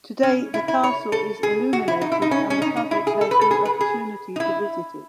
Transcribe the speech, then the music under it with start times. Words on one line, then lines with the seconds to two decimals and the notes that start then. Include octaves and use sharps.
Today the castle is illuminated and the public has the opportunity to visit it.
0.23 C#4
0.54 E4
0.68 E4
0.83 C#5
1.12 A4
1.43 G#4
1.73 F#4
1.88 E4
2.01 D#4
2.12 E4
2.22 D#4
2.31 C#4
2.50 C#4
2.62 D#4
2.77 D#4
2.91 E4
3.07 G#4
3.21 A4
3.31 B4
3.41 A4
3.51 G#4
3.65 B4
3.81 G#4
4.36 D#4
4.40 E4